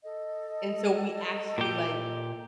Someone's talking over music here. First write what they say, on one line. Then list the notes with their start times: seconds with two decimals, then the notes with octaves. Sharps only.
And so, we actually, like
0.03 A4 D#5
1.58 A#2 G4